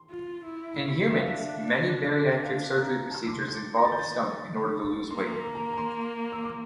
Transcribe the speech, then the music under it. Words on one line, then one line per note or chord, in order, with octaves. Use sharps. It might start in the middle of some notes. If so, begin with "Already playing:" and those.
In humans, many bariatric surgery procedures involve the stomach, in order to lose weight.
Already playing: C6
F4
E4
D4 E5
F5
E5
F5
A#5
A5
D6
C6
G6
A6
A#6
A6
G6
A6
A#3 C6
A#5
A#5
A#5
C6
E6
D6